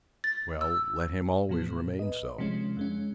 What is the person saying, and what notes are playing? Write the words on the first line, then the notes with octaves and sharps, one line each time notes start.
"Well, let him always remain so."
A6
E6
A2 C3 F3 B3
A#2
B4 D#5
C3 D#3 F3 G#3 C#4
F2 G#3 C#4